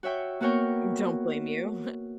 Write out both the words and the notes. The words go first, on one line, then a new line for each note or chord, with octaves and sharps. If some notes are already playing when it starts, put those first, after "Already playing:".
Don't blame you.
F#4 C#5 E5 G5
A#3 B3 F#4 A#4 C#5 G5